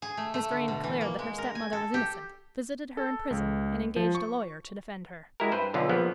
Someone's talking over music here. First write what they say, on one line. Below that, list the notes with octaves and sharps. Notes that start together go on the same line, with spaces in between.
Miss Vrain declared that her stepmother was innocent, visited her in prison, and engaged a lawyer to defend her.
G#4
A3
A3
D3
B2
E3
A#3
G#3
A#4
G#5
A4
G4
A4
C#2
F3
C#6
G#3 E4 F#4 G4 A#4
G2 C4 B4 C5
B1 D3 B3 F4
A#1 F3 B3